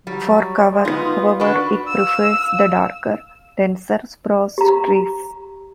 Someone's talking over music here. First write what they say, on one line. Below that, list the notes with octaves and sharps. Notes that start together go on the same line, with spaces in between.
For cover, however, it prefers the darker, denser spruce trees.
F#3 G3
G#3
B3 D#4 F4
D4 F#4 B4
F5 E6
G4 A#5